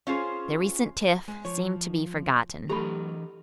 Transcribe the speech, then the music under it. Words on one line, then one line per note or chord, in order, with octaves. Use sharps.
Their recent tiff seemed to be forgotten.
C#4 F4 G#4 C5
G#3
F3 C#5
E3 F#3 A3 D4 G4 A4 A#5 B5